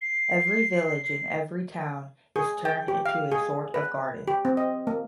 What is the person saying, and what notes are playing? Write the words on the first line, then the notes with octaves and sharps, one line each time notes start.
Every village and every town is turned into a sort of garden.
C7
G#4
G5
G4
F5
G#4
B4
G4
C4
D#5
A#3